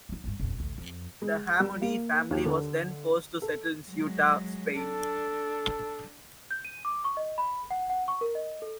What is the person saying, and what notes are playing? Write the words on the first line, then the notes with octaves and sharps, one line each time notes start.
The Hammudi family was then forced to settle in Ceuta, Spain.
F#3 D#4
G#1 G2
D#1 E2
A1 D2
F2
G#3
G3
A#3
D#2
D3
A4
F#3 G#3
D4 A4
G6
D#7
D6
C#6
D#5
B5
F#5
F#5
C#6
A#4
D#5
A4